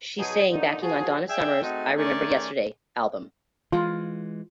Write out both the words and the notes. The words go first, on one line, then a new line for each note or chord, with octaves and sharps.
She sang backing on Donna Summer's "I Remember Yesterday" album.
B2 F#3 D#4 G#4
A#2 D3 D#4
F3 F#4 G#4
G#4 D5 E5 G5
A3 C4 D#4 F#4 G#4
D#3 A3 C#4 G#4 D5
E3 G#3 F4